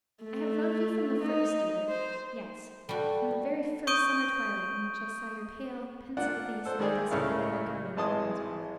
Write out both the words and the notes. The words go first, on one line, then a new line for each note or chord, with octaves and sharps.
I have loved you from the first, dear--yes, from the very first summer twilight in which I saw your pale, pensive face in the dusky little garden at Wandsworth.
A3
D#4
C5
G3 F#4 A4
C#6 D#6 G6 D7 D#7
A#3 D4 F4 F#5
A4 C5
D#3 G3 G#3 G#4 D5
C#2 A2 C#3 E4 A#4 F5
G#1 E3 G#3 A5 C6 D#6